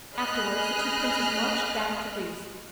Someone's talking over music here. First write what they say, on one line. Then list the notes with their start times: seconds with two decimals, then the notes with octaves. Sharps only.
Afterwards the two princes marched back to Greece.
0.14 G#4 D#5 B5 F6 F#6